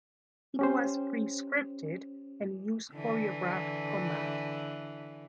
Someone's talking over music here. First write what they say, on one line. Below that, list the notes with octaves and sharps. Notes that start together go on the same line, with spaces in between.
It was pre-scripted and used choreographed combat.
C#4 G4 C5
D3 E3